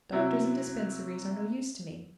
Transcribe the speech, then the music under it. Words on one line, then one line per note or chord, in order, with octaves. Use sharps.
Doctors and dispensaries are no use to me.
C3 F#3 E4